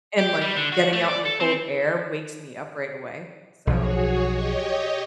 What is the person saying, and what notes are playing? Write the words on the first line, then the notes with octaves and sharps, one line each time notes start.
And, like, getting out in the cold air wakes me up right away. So
G4
G3
D3
F#4
A3
D5
A4
C4
B1 F3 F#4 G#4 C#5
G4 C#5 D#5